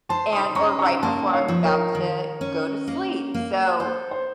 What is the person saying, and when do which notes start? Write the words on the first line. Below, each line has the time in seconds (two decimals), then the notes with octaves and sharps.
and or right before I'm about to go to sleep. So,
0.09 C5 A5 C6
0.33 C6 D#6
0.55 C#4 A#5 C#6
0.79 A#5 C#6
1.02 A#3 A5 C6
1.33 C#5 F5
1.48 F3
1.64 A#4 C#5
1.95 D#3
2.41 C#4
2.87 A#3
3.34 A#3
3.80 A4 C5
4.11 C5